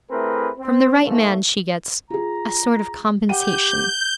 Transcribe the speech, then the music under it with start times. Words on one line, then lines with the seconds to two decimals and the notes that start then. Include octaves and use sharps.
'From the right man she gets--a sort of compensation.'
0.10 A3 C4 E4 G#4 A#4 B4
0.58 C4
1.03 G#2 A3 A#3
2.10 F4 G#4 A#5
3.29 G4 F#5 G5 G6 D#7